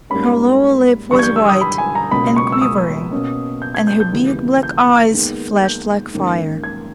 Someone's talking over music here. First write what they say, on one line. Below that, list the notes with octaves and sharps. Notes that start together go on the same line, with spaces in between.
Her lower lip was white and quivering and her big black eyes flashed like fire.
G#2 G3 A#3 C#4 B5
G2 E3 G3 C#6
G#6
G6
E6
D#6
B5
G#5
A#5
C#2 B2 A#3 C#4 B5
C#6
E6
D#6
B2 A#3 C#4
G6
G#6
G6
G6
D#2 C#3 E3 G3
G6
D#2 D#3 G#3 B3
G6
G#2 D#3 A#3 C#4
G#6